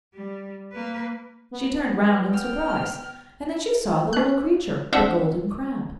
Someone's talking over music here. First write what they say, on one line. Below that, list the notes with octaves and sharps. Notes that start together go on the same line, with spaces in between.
She turned round in surprise, and then she saw the little creature, the Golden Crab.
G3
A#3 B4
B3
G5 F6
C#4 F#6
C4 D4 E5 F#5